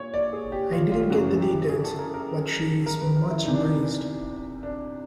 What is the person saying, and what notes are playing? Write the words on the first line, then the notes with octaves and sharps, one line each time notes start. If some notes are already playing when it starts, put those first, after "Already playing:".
I didn't get the details, but she is much braced.
Already playing: A#2 C#5
D5
G#4
G4
F4
F4
F#2 C#3 E3 F#4
G4
G#4
A4
A#4
A#4
A#4
B4
A#4
E4
E2 C3 E3 D#4
D4
D#4
D4